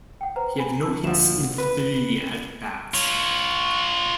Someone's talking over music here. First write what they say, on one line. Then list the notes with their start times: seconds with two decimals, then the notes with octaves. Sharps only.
He had no hits in three at bats.
0.21 F#5 G5
0.36 B4 C5 A#5
0.59 G#5 B5
0.83 D4 A5 E6
1.04 D2 A#2 F3 F#5 E7
1.58 B4
2.94 F4 C#5